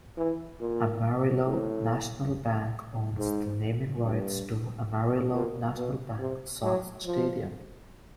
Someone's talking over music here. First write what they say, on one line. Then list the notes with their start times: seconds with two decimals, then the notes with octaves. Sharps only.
Amarillo National Bank owns the naming rights to Amarillo National Bank Sox Stadium.
0.18 E3
0.60 A#2
1.46 A2
3.18 G#2
4.05 G2
5.33 A#2
5.76 B2
6.19 C3
6.63 F#3
7.06 F3